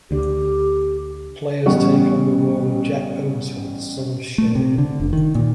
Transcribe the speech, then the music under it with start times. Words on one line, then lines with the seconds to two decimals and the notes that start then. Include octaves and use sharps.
Players take on the role of Jak Ohmsford, son of Shea.
0.11 D2 D3 G4
1.66 A1 G3 B3 C#4 F#5 C#6
4.38 A3
4.55 C3
4.78 D3
5.00 F1
5.13 D#3
5.35 A#2